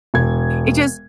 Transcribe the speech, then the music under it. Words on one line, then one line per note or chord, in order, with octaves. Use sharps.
it just
E1 G#6